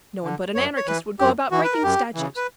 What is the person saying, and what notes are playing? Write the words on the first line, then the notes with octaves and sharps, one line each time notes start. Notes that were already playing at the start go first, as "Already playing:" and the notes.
No one but an anarchist would go about breaking statues.
D3
F#2 C#5
C#5
E3 B4
F#2 G4
E3 F#4
B4
A#4
F#2 G4
C#3 E3
B4